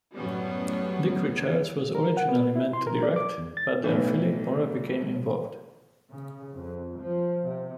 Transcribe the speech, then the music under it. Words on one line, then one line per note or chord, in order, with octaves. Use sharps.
Dick Richards was originally meant to direct but then Philippe Mora became involved.
F#2 A2 F#3 G3 B3 C#4
A#4
F#5
B3
E4
C6
A#4
D5
D6
E2
A6
B1 A2 E3
C#3
F2
F3
C3